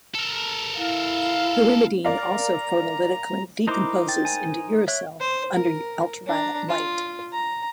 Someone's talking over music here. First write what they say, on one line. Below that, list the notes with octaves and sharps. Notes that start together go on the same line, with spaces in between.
Pyrimidine also photolytically decomposes into uracil under ultraviolet light.
A4 A#4
E4 F5
A#4 D5 F5 A#5
D#4 E4 A#4 C5 D6
G5 A6
G#5
C#5 E5 F#6
C5
A#4
D4 A#5
F4
A#5